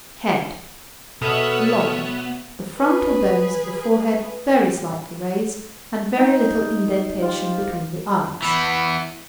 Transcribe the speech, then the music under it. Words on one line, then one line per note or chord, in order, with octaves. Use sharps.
HEAD--Long, the frontal bones of the forehead very slightly raised and very little indentation between the eyes.
B2 B3 A4 C#5 E5 D#6 F6
G#4 B4
D#4
F4 G4 C5
E3 B3